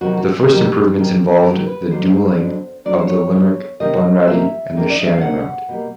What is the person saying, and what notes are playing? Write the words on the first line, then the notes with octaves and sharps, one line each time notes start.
The first improvements involved the dualling of the Limerick, Bunratty and Shannon route.
F2 C3 D#3 F#3 B3 F#4
F#4
G#4
F2 C3 D#3 F#3 B3 G4
F2 C3 D#3 F#3 B3
F2 C3 D#3 F#3 B3 A#4
B4
F2 D3 F#3 B3 D4 C5
F2 D3 F#3 B3 D4
F2 D3 F#3 B3 D4 D5
C#5
C5
C#5
F2 D3 F#3 B3 D4
C3 D#3 G3 A#3 C#4 D#5
C3 D#3 G3 A#3 C#4 E5
C3 D#3 G3 A#3 C#4
D5
D#5
E5
F5
C3 D#3 G3 A#3 C#4 F#5
B2 G3 A#3